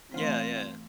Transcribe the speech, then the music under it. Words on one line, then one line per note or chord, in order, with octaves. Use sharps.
Yeah, yeah.
E3 A3 B3 C4 F4 F5 C6